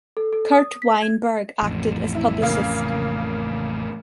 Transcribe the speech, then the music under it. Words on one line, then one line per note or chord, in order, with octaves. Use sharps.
Curt Weinberg acted as publicist.
A4
A4
D#6
B6
G#6
A1 F2
E4
C#3 A#3 F5